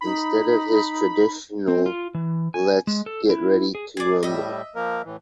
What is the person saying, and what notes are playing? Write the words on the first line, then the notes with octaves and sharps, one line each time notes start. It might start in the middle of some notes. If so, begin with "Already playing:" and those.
Instead of his traditional Let's get ready to rumble!
D#4 B5
C4
F4
E3
G#5
G#3
A4
E4
G#4
G#4 D5
A2 G3 D#5 E5
F3 A#3 A#4
A2 E3